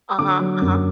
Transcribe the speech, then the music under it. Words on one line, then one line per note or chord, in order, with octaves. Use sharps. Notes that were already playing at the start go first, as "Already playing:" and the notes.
Uh-huh. Uh-huh.
D3 D6
F#3
F#2